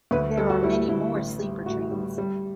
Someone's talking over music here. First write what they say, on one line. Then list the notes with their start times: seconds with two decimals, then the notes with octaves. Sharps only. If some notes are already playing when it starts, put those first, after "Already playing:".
There are many more sleeper trains.
0.11 D2 B4
0.37 G3 A4
0.50 F#4
0.63 G3 E4
0.88 D2 E4
1.14 A1
1.40 G3
1.66 A2 F#4
1.91 G3
2.18 G3